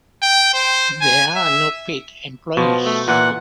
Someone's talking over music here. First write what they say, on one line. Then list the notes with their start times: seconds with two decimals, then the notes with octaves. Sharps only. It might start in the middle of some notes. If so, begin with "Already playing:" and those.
There are no paid employees.
0.22 G5
0.54 C5
1.01 G#5
1.36 E5
2.57 B2 F3
2.85 A3
3.08 A#2 E3 F#5